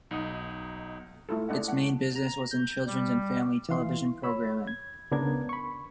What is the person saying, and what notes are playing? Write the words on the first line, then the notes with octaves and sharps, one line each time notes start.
Its main business was in children's and family television programming.
B1 D#4 F#5 D#6
A3 E4 F4 A4
G#3 D4 D#5 F#5
F#5
A#5
G6
G3
E3 F5 C6
C#5 B5 E6
G#6
C#2 C#3 B3 D4 A#4 G#6
B5 C#6